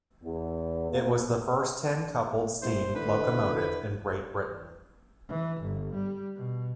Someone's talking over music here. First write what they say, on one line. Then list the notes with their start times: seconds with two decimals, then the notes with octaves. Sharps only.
It was the first ten-coupled steam locomotive in Great Britain.
0.23 E2
0.90 A#3
2.62 C2 E4 C5
2.95 D3 E4 B4
5.29 E3
5.61 G1
5.94 G3
6.36 B2